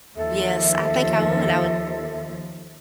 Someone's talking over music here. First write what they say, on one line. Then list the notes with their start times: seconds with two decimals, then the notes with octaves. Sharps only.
Yes, I think I would I would
0.16 D#2 F3 A4 E5